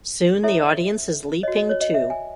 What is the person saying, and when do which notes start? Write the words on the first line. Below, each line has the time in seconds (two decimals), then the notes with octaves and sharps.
Soon the audience is leaping too.
0.43 E4 A4 C#5 E5
1.43 C#5 D#5
1.48 F#4
1.57 D#5
1.69 C#5
1.81 D#5
1.94 E5
2.10 G#5